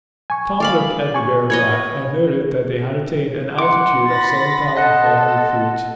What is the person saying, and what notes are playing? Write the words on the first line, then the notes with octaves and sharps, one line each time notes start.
Tom looked at the barograph, and noted that they had attained an altitude of seven thousand five hundred feet.
G#5 C#6
D5 F5 B5
G#5 C#6
B4 C#5 D#5 G#6
E4 F#5 C6 D6
B5 A6 A#6
A4 D#5 F#5 F#6 C#7